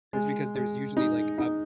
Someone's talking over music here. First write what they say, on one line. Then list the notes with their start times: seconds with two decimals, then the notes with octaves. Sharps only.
It's because there's usually, like, um
0.13 G#3
0.55 G#3
0.97 D#4
1.38 D#4